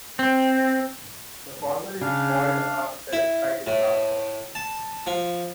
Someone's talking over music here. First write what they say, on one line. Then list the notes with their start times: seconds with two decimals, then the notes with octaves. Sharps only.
The former is called a self-guided plasma.
0.19 C4
2.02 C#3 D4 F5
3.13 E4
3.67 A2
4.55 A5
5.07 F3